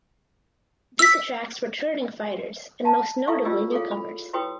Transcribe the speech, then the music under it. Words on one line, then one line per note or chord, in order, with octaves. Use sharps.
This attracts returning fighters and most notably newcomers.
E6 B6
F5 A5 A#5
E4 A4 F5 C#6
C#4 F4 G4 D5 D#5 E6
G#4 A4 C#5 F5
B5
E4 F#4 B4 C#5 G5 D#6